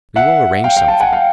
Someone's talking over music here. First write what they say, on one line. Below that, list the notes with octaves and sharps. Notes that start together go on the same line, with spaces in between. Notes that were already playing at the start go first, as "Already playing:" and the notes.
We will arrange something.
E5 F#5
F5 G5
F5 G5
G5 A5
F#5 G#5
F5 G5